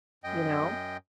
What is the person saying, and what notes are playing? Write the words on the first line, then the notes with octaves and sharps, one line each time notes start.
You know?
F#2 D#5 G5